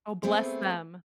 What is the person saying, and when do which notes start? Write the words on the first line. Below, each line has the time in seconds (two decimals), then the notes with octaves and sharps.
Oh, bless them.
0.23 A3 B3 C4 G#4